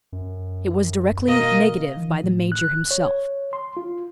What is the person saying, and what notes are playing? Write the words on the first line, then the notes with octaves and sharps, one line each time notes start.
It was directly negatived by the major himself.
F#2
B2 A#3 D#5
E3
A2
F#6
C#5
C6
F4